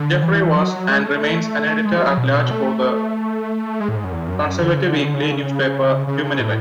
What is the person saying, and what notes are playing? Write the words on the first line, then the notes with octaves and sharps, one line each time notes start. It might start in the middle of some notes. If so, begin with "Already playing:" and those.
Jeffrey was and remains an editor-at-large for the conservative weekly newspaper "Human Events".
Already playing: D3
E3
F#3
G#3
A3
G#3
F#3
B2
B2
A3
G#3
A2
G#2
F#2
E2
F#2
F#2
D3
C#3
D3
C#3
D3
C#3
D3
C#3
C#3
C#3
C#3
A2